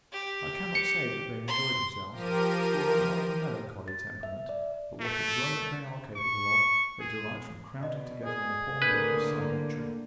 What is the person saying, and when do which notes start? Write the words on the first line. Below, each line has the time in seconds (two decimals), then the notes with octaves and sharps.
I cannot say that they enjoy themselves, for they are of a melancholy temperament; but what enjoyment they are capable of, they derive from crowding together in the pawnbroker's side-entry.
0.12 G4
0.75 C#7
1.48 C6
2.11 F3 G4 A#4 D#7
3.88 A6
4.23 E5
4.49 D5
5.01 A3
6.16 C#6
7.00 G#4
7.80 B2 D5 D#5
8.25 G#4
8.82 A2 D3 A#3 B4 G6 G#6 D#7